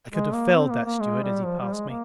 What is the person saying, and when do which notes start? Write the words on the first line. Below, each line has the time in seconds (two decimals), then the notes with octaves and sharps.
I could have felled that steward as he passed me.
0.11 G#3
0.33 A#3
0.56 C4
0.71 A#3
0.85 A#3
1.01 G#3
1.23 G3
1.45 F3
1.60 G3
1.74 G#3
1.89 A#3